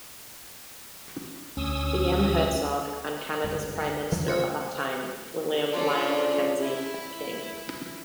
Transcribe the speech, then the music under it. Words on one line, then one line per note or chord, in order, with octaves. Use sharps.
B. M. Hertzog and Canada's Prime Minister at that time, William Lyon Mackenzie King.
D2 C#4 D#6 E6
G1 C#2 F#2
E2 D#3 D4
C#3 F#3 A#3 F4 C5 C#7
C#4 D4 F4 A4 C5 D5
E4